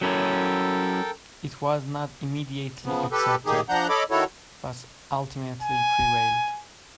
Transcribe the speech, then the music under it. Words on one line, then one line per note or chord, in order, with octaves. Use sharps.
It was not immediately accepted but ultimately prevailed.
F#3 C#4 E4 A4 A#4 G5
C#3 F3 B3
G4 A4 B4
A2 D#3 A#3 D#4 G4 G#4
F3 D4 F#5 A#5 G6
A4 C#5 D#5 B5 D6
D#3 E4 F#4 A4 C#5
G#5